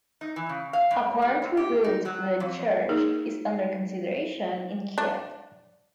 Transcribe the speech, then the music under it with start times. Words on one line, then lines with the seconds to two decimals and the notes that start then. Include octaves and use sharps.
A plan to rebuild the church is under consideration in Kiev.
0.21 D#4
0.36 E3
0.49 C#3
0.73 F5
0.91 G2
1.22 G3
1.42 F#2
1.57 G4
1.84 D#4
2.05 F#3
2.40 F2
2.89 A#3 D#4 G#4 A#4
4.98 D4